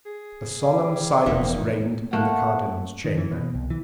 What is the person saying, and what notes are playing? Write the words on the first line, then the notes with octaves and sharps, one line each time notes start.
A solemn silence reigned in the cardinal's chamber.
G#4
G3
F1 E2 A#3 D#4 E5
A3 A#3 F#5
D#3
E3
B2
C2
E3